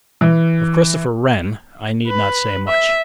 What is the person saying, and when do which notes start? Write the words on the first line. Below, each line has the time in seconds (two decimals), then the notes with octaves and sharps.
Of Christopher Wren I need not say much.
0.21 E3
2.07 B4
2.68 E5